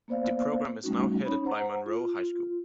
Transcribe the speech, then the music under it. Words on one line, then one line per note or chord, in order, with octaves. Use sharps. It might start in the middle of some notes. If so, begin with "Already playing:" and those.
The program is now headed by Monroe High School.
A#3 B3 C5 D5 F5
G3 A3 C#4 D#4 F#4
C#4 D#4 C#5 B5
C5 F#5 A#5
F4